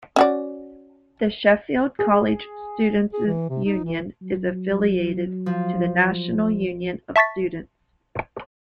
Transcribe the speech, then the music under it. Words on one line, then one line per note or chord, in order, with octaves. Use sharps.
The Sheffield College Students' Union is affiliated to the National Union of Students.
C#4 F#4 D5
G#4
G#4
E3
C3
D#4
E3
F#3
F3
E5 A5 C#6 A6 B6